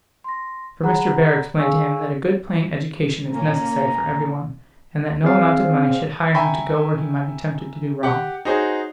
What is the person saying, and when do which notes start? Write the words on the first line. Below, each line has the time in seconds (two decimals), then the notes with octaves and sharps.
For Mr. Bhaer explained to him that a good plain education is necessary for everyone, and that no amount of money should hire him to go where he might be tempted to do wrong.
0.24 C6 A#6
0.83 G#4 F#5 A#5 B5 F#6
1.58 G#4 C#5 F5 G#5 C#6 E6
3.31 A#2 A#3 C#4 A#5
5.24 C4 G#4 D5 F5
6.34 E5 G5 G#5 A#5 B5 C#6
8.03 G4 F#5
8.45 D#4 F#4 G#4 C5 C#5